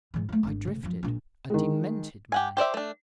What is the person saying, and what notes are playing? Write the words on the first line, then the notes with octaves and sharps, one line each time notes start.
I drifted--a demented man.
G#2 E3
G3 A3
G#1 D4
D2 C#3
F#2 F3
A#1 D4
D#3 G#3
G4 F#5 G#5
G4 C5 D5 E5
A3 D4